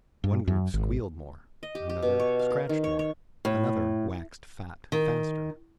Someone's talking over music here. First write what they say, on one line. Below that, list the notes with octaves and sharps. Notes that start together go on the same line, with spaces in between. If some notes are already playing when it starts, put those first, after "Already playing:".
One group squealed more; another scratched more; another waxed fat faster.
G2
F#2
G#1
D#5
G4
G4
B2
C#5
F5
A#4
D#3
C#5
C#5
A2
D#3